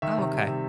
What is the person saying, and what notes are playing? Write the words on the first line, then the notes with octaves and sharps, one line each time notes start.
Oh, okay.
D#3 E5
C3
G3
C3